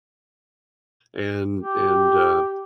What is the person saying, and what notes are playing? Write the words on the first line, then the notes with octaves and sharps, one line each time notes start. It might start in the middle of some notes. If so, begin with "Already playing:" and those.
and and, uh
G4